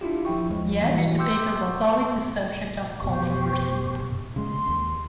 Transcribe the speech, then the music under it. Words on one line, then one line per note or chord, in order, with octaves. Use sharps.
Yet, the paper was always the subject of controversy.
D4 E4 F4 G4
F3 E4 G5 C#6
D#2 F3 G#3
E3 G3 A#3
E3 G3 F#4 C#7
G5 C6 D6 E6 G6
F1 B2 G4 C5 C#6
C#3 G#3 C6
D#2